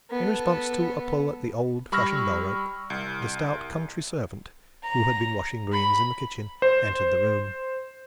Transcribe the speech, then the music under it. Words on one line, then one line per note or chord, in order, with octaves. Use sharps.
In response to a pull at the old-fashioned bell-rope, the stout country servant, who had been washing greens in the kitchen, entered the room.
B3 A4
G3 B5 C#6 E6 F6 A#6
C2
A#5
B5
C5